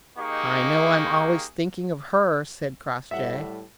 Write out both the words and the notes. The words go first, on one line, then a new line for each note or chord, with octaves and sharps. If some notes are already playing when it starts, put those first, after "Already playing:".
"I know I'm always thinking of her," said Crossjay.
A#3 D#4 G4 G#4 D#5 C#6
A2 G3 E5 F#5